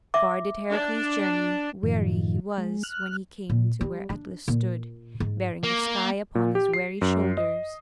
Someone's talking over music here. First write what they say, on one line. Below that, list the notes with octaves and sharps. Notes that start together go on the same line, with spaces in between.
Far did Heracles journey; weary he was when he came to where Atlas stood, bearing the sky upon his weary shoulders.
E5 D6
D4
F#2 A2 D#3 F3
G#3
F6 F#6
A#2
G3
D4
A#2
G#2
A#3
A#2
G4
C7
F#2
D#5